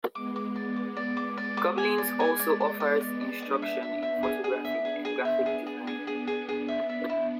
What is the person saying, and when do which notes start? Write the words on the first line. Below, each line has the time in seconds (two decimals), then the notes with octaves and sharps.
Gobelins also offers instruction in photography and graphic design.
0.15 G#3 B3 D6
0.36 D6
0.56 D5
0.76 D6
0.97 D5
1.17 D6
1.37 D5
1.57 D6
1.78 G#3 B3 G#5
1.98 D5
2.20 G#5
2.39 D5
2.60 D5
2.80 D5
3.01 D5
3.21 D5
3.42 B3 D4 G#4
3.62 E5
3.83 E5
4.03 E5
4.23 G#4
4.44 G#4
4.65 E5
4.85 G#4
5.05 G#4
5.25 E5
5.46 G#4
5.67 G#4
5.87 B3 D4 G#4
6.07 G#4
6.27 G#4
6.49 G#4
6.68 E5
6.89 E5
7.10 E4